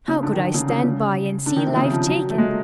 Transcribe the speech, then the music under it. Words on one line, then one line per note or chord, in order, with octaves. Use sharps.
How could I stand by and see life taken?
C#3
D3
D#3
D3
C#3
C#3
C#3
D3
D#3
C3
C#3
F3
F#3
A3
G#3